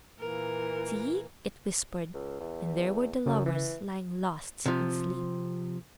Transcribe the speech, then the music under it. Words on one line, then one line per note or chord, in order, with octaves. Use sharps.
"See," it whispered, and there were the lovers, lying lost in sleep.
A#2 E3 A#3 A#4
C#2
E2
F#2 C#3
E3
C3 F3